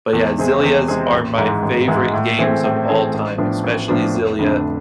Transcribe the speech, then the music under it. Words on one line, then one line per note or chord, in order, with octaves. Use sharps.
but yeah, Xillias are my favorite games of all time, especially Xillia
E2
C3 G#3 C4 G#4
E2
C3 G#3 C4 G#4
A1
G#2 E3 G#3
A1
G#2 E3 G#3
A2
E3 A3 C4 G#4
A2
E3 A3 C4 G#4
A1
A2 F3 B3 D4
A1
A2 F3 B3 D4
F1
F2 D3 A3 D4